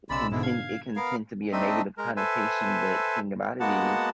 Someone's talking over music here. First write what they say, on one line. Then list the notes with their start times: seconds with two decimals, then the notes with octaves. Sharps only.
contin it can tend to be a negative connotation, but the thing about it is
0.10 B1 C#3 G#3 D5 B5 E6
0.32 G#2 B2 D3 E4
0.43 F5 G#6
0.96 B3 A#4 F5
1.52 A3 C4 D4 D#4 D#5 E5
1.98 G#3 A#4
2.17 A4 B4 C5 E5 G#5
3.60 G#3 A#3 B3 F#4 F#5 A5